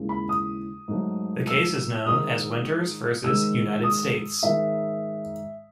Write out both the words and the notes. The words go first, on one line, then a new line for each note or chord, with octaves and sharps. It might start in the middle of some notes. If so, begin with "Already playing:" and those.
The case is known as "Winters versus United States".
Already playing: D#2 C#3 E3 G#3
B5
D#6
G#2 F#3 A3
E6
G#2 D#3 G#3 D#6
G#2 D#3 G#3 E6
D#6
G#2 D#3 G#3 E5